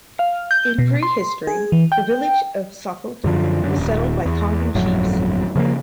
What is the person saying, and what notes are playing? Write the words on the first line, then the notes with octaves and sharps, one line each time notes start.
In pre-history, the village of Safotu was settled by Tongan chiefs.
F5
G6
B2
C6
G#4
E3
G5
F#2 D3 F3
F#2 D3
D#1
E2
G1 F2 A2 F#3
C#3 F3 A3 A#3